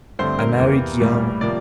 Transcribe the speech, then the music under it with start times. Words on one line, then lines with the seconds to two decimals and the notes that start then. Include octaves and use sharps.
I married young.
0.19 G2 D3 A3 C4 C5
0.39 A#4
0.59 E2 C3 E3 A#3
1.00 A2 G3 A#3
1.41 C3 F3 A#3 D5